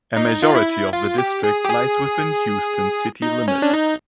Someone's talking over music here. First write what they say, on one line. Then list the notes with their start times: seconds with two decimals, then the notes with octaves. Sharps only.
A majority of the district lies within Houston city limits.
0.17 D#4
0.42 F4
0.55 E4
0.93 F4
1.18 G4
1.44 G#4
1.65 G4
1.70 G#4
3.22 D#4
3.48 C#4
3.62 D4
3.74 D#4